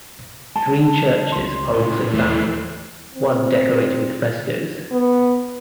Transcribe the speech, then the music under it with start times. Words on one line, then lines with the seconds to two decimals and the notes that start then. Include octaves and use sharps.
Three churches are also found, one decorated with frescoes.
0.56 G#3 A5
1.32 C#2 C#4 C6
1.73 A2 C#4
2.13 D#2 E3 A3 C7
3.14 C4
4.92 B3